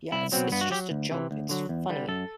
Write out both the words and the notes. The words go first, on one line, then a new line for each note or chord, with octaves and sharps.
Yeah, it's it's just a joke; it's funny,
C2 E4
B2 F#3 C4
G2 B3
F#4
F#3 G4
D2
C3 E3
D2
D3 F#3
E2
D3 G3
F#2 A4